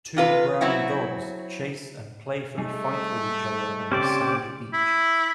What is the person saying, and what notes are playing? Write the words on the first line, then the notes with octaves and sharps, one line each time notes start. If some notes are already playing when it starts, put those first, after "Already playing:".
Two brown dogs chase and playfully fight with each other on the sandy beach.
C3 F4 B4
F#3 C4 E4 F#4
G3 A3 D#4 G#4
C#3 C4 C#4 G4 C5 D5 D6
E4